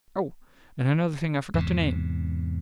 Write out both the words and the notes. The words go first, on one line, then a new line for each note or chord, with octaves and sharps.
Oh! and another thing I forgot to name!
E2 G#2 C3